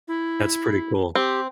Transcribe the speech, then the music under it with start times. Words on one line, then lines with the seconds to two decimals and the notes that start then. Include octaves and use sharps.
That's pretty cool.
0.08 E4
1.15 C4 G4